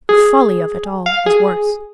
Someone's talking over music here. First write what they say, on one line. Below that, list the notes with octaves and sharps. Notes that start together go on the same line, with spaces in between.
The folly of it all was worse.
G#4
F5
G#4